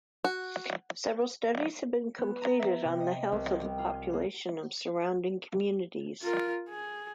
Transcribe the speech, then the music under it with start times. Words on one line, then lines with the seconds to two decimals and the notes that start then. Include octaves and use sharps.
Several studies have been completed on the health of the population of surrounding communities.
0.24 F#4
2.18 B3
2.42 A#5
2.59 E5
2.85 C3
3.00 D#5
3.32 C2
3.61 G3
3.79 F4
4.13 A#3
6.22 F4 A#4
6.69 G#4